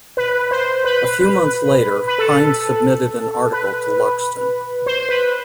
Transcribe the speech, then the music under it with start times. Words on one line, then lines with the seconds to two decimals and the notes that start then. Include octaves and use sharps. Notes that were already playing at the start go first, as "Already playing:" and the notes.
A few months later Hind submitted an article to Luxton.
0.17 B4
0.51 C5
0.84 B4
2.07 B4
2.18 A4
3.52 B4
4.86 C5
5.09 B4